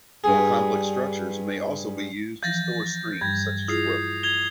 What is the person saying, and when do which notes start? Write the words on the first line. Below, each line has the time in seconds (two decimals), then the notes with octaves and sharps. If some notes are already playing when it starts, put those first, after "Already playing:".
More complex structures may also be used to store strings such as the rope.
0.24 G2 G#4
2.43 E3 F3 G6 A6 A#6
3.21 G2 G3 G#6
3.68 E4 F4 G#4 D#6 C7
4.23 G#6 F7 G7